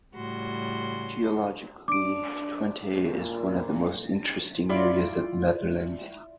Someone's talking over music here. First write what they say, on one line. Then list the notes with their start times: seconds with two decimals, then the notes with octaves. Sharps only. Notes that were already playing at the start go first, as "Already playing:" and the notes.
Geologically, Twente is one of the most interesting areas of the Netherlands.
0.14 A2 C#3 G3 F#4 C6
1.88 D4 D6 D7
3.05 A#2
4.69 E4 F4 D5